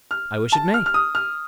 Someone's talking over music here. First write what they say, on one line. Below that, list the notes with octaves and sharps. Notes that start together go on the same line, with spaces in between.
"I wish it may."
F6
A5
F6
F6
D#6
F6